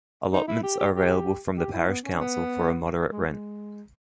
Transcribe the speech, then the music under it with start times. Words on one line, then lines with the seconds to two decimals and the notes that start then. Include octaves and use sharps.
Allotments are available from the Parish Council for a moderate rent.
0.33 D#4
0.48 E4
0.63 G4
0.79 G4
0.95 G4
1.57 G4
1.73 E4
1.88 B3
2.04 C#4
2.20 B3
3.12 G#3
3.28 G#3